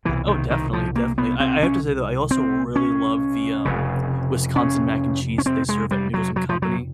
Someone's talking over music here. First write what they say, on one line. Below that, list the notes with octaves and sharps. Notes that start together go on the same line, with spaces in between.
th oh, definitely, definitely, I I have to say though, I also really love the, um, Wisconsin mac and cheese that they serve at Noodles and Company.
C2 B2 E3
D#3
D#3
F3
A#3
B3
C4
C#4
C4
C#4
F1 F2 C#3
C#4
C#4
C4
G#3
G3
F#3
F#3
F3
F#3